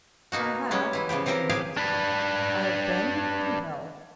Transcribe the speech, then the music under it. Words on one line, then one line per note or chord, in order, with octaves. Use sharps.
"I have"--he lowered his voice--"I have been through hell."
B2 A#3 D#4 F#4
G3 G#3 B3 C#4
E3 E4
C#3 F3 B3 G4
E3 F3 C4 G4 A#4
A2 F3 G4 G#4 F5
D4 B4